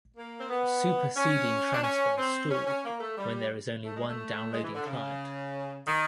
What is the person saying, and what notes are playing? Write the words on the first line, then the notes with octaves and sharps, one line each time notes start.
Super seeding transfers stall when there is only one downloading client.
A#3
C4
B3
C#4
D4
C#4
C4
C#4
C#4
A#3
A3
G3
A3
G#3
A3
G#3
E3
D3
C#3
D#3